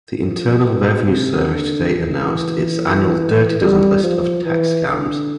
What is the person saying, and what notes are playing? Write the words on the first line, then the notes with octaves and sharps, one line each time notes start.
The Internal Revenue Service today announced its annual Dirty Dozen list of tax scams.
F3
B2
C3
D3
E3
G3
F3
E3
D3